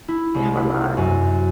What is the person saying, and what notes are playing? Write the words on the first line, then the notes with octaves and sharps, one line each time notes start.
They have a lot.
E4
C2
E4
F#2